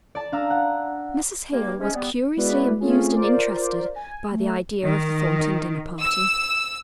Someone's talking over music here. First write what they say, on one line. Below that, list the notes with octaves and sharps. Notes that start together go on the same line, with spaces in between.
Mrs. Hale was curiously amused and interested by the idea of the Thornton dinner party.
D5 A5
D4 F5 A#5 E6
F#5
G2 A#3
G#2 C3 G#3 C#4
G3 B3
G#3 B3 E4 F#4 B4 D5
A3 C4 C#4 F4 G#4
F4 A#4 C5 D5
G#5
A3
D#3
E6